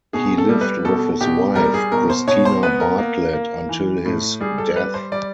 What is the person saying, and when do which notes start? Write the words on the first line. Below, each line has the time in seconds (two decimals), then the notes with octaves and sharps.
He lived with his wife Christina Bartlett until his death.
0.13 B2 G#4
0.38 A4
0.49 G3
0.61 B4
0.85 B2 A4
1.21 B2 G4
1.55 G3 A#4
1.74 G#4
1.92 B2 A#4
2.10 C5
2.28 B2 C#5
2.45 C5
2.63 B3 B4
2.80 A#4
2.98 A#3
3.33 A#3
3.69 E3
4.05 A2
4.40 G3 G#4
4.58 A4
4.76 G3 B4
4.94 C5
5.12 G3 D5